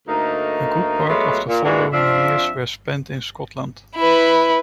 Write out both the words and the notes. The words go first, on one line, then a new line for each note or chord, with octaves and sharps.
A good part of the following years were spent in Scotland.
D2 A3 A#3 D#4
F#3 G#3 A3 B3 F4
A#2
A#2 E3 G#3 D4 F#4
F3 C4 D4 E5 F5
E4 B4